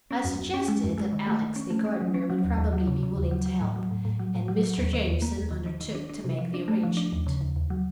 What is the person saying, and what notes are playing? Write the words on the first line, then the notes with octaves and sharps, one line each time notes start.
I suggested that Alex, the gardener, would probably be willing to help, and Mr. Jamieson undertook to make the arrangement.
C#4
F#2
F#2
C#4
G#3
F#2
G#3
D#3
A3
D#3
C#4
A3
C#4
F#3
C#4
F#3
D#2
D#2
F#3
C#3
C#3
D#2
F#3
F#3
A2
F#3
A2
A2
F#3
A2
F#3
F#3
D#2
D#3
D#2
A#3
D#2
D#3
D#3
D#3
D4
D4
C3
F3
D4
A3
F3
D4
D#2
C#3
D#2
D#2
F#3